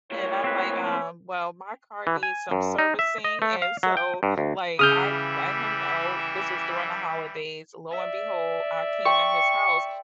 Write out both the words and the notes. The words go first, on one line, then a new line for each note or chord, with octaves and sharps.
and I'm like, um, "Well, my car needs some servicing, and so, like, I let him know, this was during the holidays, lo and behold, I came to his house
A2 A#3 C#5
C4 B4
E3
G#5
F#2
D#4
E5
D#5
A3
F5
F#3
G5
G2
D2
C#3 E3 G3 E4 D#6 F6 G6
D5 E5
G5 C6 C#6